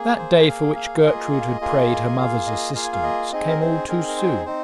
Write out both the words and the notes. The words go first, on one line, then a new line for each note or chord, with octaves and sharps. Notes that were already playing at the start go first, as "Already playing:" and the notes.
That day for which Gertrude had prayed her mother's assistance came all too soon.
Already playing: A#3 G#4
C5
G#5
A#3 G#4 F5
F5
A#3 F4 G#4 D#5
D#5
F5
D#5
A#3 F4 G#4
G#5
A#3 F4 G#4 F5
D#5
A#3 F4 G#4 F5
G#5
F5
D#5
C4 D#4 G#4 D#5
A#4
C5
C4 D#4 G#4 A#4
A#4
C5
C4 D#4 C5